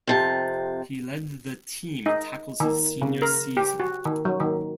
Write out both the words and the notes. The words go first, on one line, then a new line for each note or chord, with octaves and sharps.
He led the team in tackles his senior season.
F2 C3 A5
D#4
D#3
C#3
A#4
G4
F#4
D#3
F#3
D#3